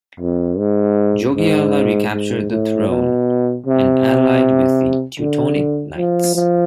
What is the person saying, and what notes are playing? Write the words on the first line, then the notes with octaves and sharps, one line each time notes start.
Jogaila recaptured the throne and allied with the Teutonic Knights.
F2
G#2
G#2
G#2
A2
B2
C3
D3
F3
F3